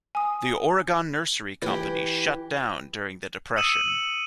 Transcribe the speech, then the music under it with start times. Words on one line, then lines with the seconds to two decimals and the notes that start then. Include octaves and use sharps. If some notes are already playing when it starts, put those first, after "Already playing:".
The Oregon Nursery Company shut down during the depression.
0.15 G#5 D#6
1.62 E3 G4
3.56 D#6 E6 C#7 D#7 E7 F#7